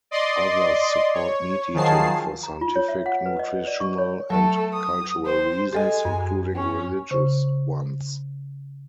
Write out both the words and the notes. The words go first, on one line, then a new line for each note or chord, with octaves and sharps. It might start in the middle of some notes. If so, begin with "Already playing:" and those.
Others support meat eating for scientific, nutritional and cultural reasons, including religious ones.
D5 D#5 C6
C#5
D#3 F3 F#3 G#4 A5 C7
A#5
F4
C#5
E5
F#5
B4
D#5
D5
C#6
C#5
F#3 A3 A4
D#6
C5
G#3 G4 A4 D#5 G#5
F#2
C#4
C#3 C5 C#6